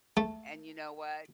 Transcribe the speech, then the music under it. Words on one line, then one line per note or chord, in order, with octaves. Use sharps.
and you know what?
A3